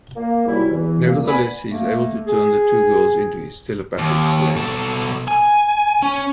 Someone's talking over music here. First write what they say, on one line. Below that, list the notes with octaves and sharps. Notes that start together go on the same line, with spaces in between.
Nevertheless, he is able to turn the two girls into his telepathic slaves.
A#3
G#2 C3 F#3 G3 E4
E2 E3
A#2 A3 A#3
B3 D4 B4 G#5 B5
A3 A#3
G#4
D#2
B2 A4
G#5
C#4